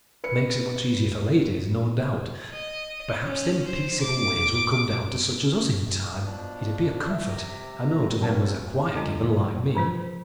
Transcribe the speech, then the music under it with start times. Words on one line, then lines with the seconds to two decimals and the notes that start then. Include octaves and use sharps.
That makes it much easier for ladies, no doubt. Perhaps them peaceable ways will come down to such as us in time. It'd be a comfort, I know, to them as are quiet given, like me.
0.24 B4 C#7
2.53 D#5
3.24 C#4
3.66 C5
4.01 D6
6.25 B2 F3 D4
7.10 E5
7.28 C3 G4 A#5
7.98 F1 F#3
8.20 G#2 C#3 C4 C#4 F#4 A5
8.96 D3 G#3 D4 F4
9.75 E3 F3 F4 C5